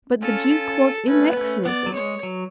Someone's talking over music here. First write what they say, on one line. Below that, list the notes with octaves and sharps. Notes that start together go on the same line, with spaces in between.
But the Duke was inexorable.
C#4 F4 A4
C#4 F4
A3 C#4 B4
B3
A3 C#4
B3 D5
F#3
G#3 C#5
F#3